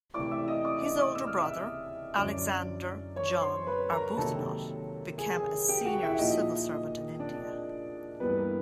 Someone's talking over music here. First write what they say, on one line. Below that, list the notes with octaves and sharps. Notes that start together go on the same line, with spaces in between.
His older brother, Alexander John Arbuthnot, became a senior civil servant in India.
C3 E3 A3 C4 E4 D5 D6
E5 E6
D#5 D#6
D5 D6
D#5 D#6
D5 D6
E6
F6
E5 E6
F#2 D3 F#3 D5 D6
C#5 C#6
C5 C6
B4 B5
A#4 A#5
C3 D#3 F#3 A#3 A4 A5
G#4 G#5
G4 G5
F#4 F#5
E4 E5
A#2 F3 A#3 D#4 D#5
D4 D5
G2 E3 G3 A#3 B3 B4
A#4